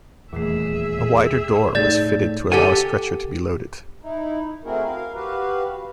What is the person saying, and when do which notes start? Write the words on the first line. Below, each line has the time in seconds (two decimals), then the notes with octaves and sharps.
A wider door was fitted to allow a stretcher to be loaded.
0.33 D#1 E2 A#2 D#3 A3 G#4 E5
1.75 A2 A3 D#4 D5 A6
2.52 G4 A4 F#5 G#5
4.01 D#4 E4
4.64 A3 C4 E4 F#4 G#4 A#4
4.84 A#4 F5
5.14 F#4 G4 B4 F5